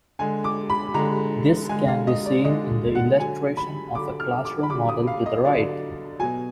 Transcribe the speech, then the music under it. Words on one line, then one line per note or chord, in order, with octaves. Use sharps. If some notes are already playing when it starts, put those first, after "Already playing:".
This can be seen in the illustration of a classroom model to the right.
D3 G#3 G#5
D6
B5
D3 G#3 A#5
D3 G#3 G#5
F5
D#5
D5
D3 G#3 D#5
F#5
D3 F#3 G#5
B5
D3 F#3 D6
F6
D6
B5
D3 F#3 D6
D#6
F5
D#5
D3 F#3 D5
B2 F#3 G#5